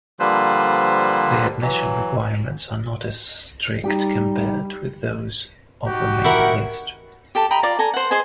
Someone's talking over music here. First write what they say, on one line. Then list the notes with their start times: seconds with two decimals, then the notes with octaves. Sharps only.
The admission requirements are not as strict compared with those of the Main List.
0.20 D3 F3 G3 A#3 B4 C5
1.61 E3 F#3
3.84 G3 D#4 G4 G5
5.86 D#4 F#4 G4
6.25 E4 A#4 F#5
7.35 G4 A4 A5
7.50 D#5 G5 A#5 B5
7.63 F4 D5 A#5 D6
7.79 A4 G#5 A#5
7.94 C5 F#5
8.11 G#4 C5 D#5 G#5